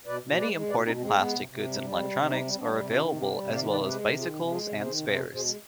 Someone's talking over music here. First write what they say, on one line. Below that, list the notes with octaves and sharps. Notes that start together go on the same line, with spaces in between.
Many imported plastic goods and electronics are available as well as bicycles and spares.
B2 B4 D5
B2
G#3 B4 D5
G#3
B2 B4 D5
B2 C4 D#4
G#3 C4
G#3 B3
C3
C3
G3
G3
C3 G#3 C4
C3
G3 C4 D#4
G3
C4
G3 B3 D4
C3
D#3 D4 F4
C3
G3 D#4 G4
C3
D#3 D5 F5
C3 B4 D5
G#3 G4 B4
C3
D#3 F4 G#4
C3
G#3 F4 G#4
C3
D#3 G#4 C5
C3
B2 G#4 C5
B2
G#4 C5
G#3